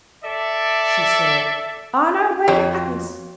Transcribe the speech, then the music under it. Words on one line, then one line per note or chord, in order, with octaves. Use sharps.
She said, 'On our way to Aklis.'
A4 D5 E5
F2 F#4 C#5 G5